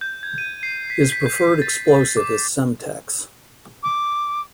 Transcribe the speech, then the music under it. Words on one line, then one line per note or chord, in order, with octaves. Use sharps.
His preferred explosive is Semtex.
G6
G#6
D#7
C7
B6
B6
G6
A6
D6
D6